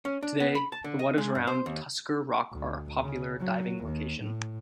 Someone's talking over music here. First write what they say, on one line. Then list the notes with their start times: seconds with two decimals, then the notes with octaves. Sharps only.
Today, the waters around Tusker Rock are a popular diving location.
0.05 C#4
0.23 D4
0.40 B3
0.55 B5
0.72 A5
0.84 D3
0.99 D#5
1.18 G#3
1.35 G2
1.47 C5
1.66 D#2
2.52 D2
3.02 C#3
3.40 F#3
3.84 D#2
4.21 A2